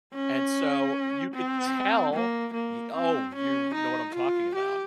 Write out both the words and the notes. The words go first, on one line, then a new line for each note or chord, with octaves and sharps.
and so you could tell, y oh, you know what I'm talking about.
C#4
C4
A#3
A#3
C4
C#4
D#4
F4
G4